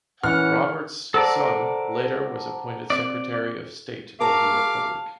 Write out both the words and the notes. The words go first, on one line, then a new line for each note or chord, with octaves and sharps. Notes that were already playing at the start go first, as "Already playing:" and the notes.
Roberts' son later was appointed Secretary of State of the Republic.
F#2 E3 C#4 F#5 F6
A4 A#4 C5 D5 F#5 A5
C4 D5
F#4 G#4 A#4 F5 A5 D6